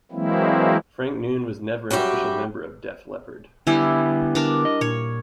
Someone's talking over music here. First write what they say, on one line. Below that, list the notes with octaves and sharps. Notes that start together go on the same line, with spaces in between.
Frank Noon was never an official member of Def Leppard.
E3 F#3 G#3 A#3 C4 E4
F#2 G3 F#4 G4 E5
D3 G3 B3 E4 G#5
D4 A#4 D6
D#5
A#2 C#5